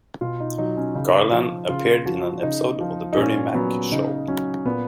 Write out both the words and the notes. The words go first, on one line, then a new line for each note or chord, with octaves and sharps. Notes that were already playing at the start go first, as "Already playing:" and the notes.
Garland appeared in an episode of The Bernie Mac Show.
B2 F4
D#4
F#3 D#4
C#4
C#3 D#4
F3
C#3 F4
F3 F#4
C#3 D#4
F3
D#4
A#2 C#4
F#3 B3
C#3 D#4
F#3 C#4
A#2 B3